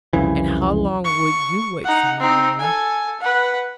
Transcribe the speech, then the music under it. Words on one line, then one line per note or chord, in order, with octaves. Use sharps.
And how long would you wait for me, Lorna?'
C2 F2 C#3 E3
C#6
D#4 F#5
C4 D#4
A4 G#5
B4 F#5